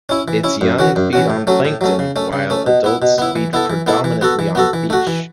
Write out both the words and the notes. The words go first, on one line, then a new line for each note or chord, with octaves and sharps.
Its young feed on plankton while adults feed predominantly on fish.
C#4 E4
E3
C#4 E4
F#2
E3 C#4 F#4
F#2
E3 C#4 F#4
A2
F#3 A3 C#4
A2
F#3 A3 C#4
C#3
A3 C#4
C#3
A3 C#4
B2
B3 E4
B2
B3 E4
E3
B3 E4 A4
E3
B3 E4 A4
E3
B3 F#4 A4
E3
B3 F#4 A4
E3
A3 F#4
E3